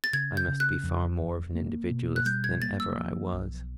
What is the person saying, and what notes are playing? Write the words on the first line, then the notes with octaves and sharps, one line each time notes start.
I must be far more of an individualist than ever I was.
A6
C#3 G#6
G6
C#3
F#6
F2
F1
A#3
B2
F#6
G3 G6
G#6
A#3 A6
E6
F3
B1